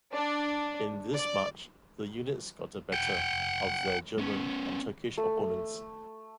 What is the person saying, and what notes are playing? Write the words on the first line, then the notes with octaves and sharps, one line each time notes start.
In this march the units got the better of their German and Turkish opponents.
D4
D5
F#5 G5
B3 C#4
A3